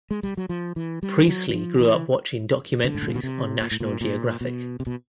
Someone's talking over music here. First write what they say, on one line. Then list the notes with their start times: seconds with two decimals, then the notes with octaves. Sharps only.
Priestley grew up watching documentaries on National Geographic.
0.11 G#3
0.23 G3
0.37 F#3
0.49 F3
0.76 E3
1.03 G3
1.28 F#3
1.49 E3
1.53 F3
1.80 E3
2.84 D3
2.95 G#2
3.02 A2
3.08 A#2
3.15 B2
3.23 C3
3.62 A#2
3.71 A2
3.80 A#2
4.01 A#2
4.41 B2
4.80 C3
4.87 B2